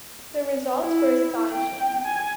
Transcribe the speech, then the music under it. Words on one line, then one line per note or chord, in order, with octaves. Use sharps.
The results were astonishing.
E4
G5
G#5